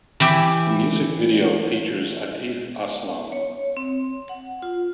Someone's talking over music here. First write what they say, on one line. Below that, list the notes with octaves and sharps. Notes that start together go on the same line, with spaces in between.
The music video features Atif Aslam.
E3 G4 E5
C#5
C4
F#5
F4